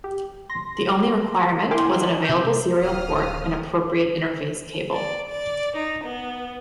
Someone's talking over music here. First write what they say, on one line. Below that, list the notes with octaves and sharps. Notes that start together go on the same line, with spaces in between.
The only requirement was an available serial port and appropriate interface cable.
G4
C6 A#6
E4 A#4 G5 G#5 C6 D6
C3 G6
D1 C#5 F5 D#6 F6
D5
D5
D#4
B3